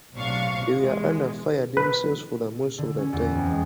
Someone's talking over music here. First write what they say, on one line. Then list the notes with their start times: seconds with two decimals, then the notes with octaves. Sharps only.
They were under fire themselves for most of the time.
0.15 B1 A2 C3 D4 F5 C#6
0.73 E2 G#3
1.77 B4
2.78 D3
2.98 C#4
3.13 E2
3.35 F2
3.49 G#3